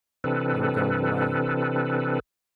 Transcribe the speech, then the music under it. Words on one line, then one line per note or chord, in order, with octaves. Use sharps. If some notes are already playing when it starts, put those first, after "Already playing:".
They were going away.
C3 E3 C4 D4 A4 B4